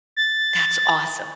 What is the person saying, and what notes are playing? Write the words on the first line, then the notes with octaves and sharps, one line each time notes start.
That's awesome.
A6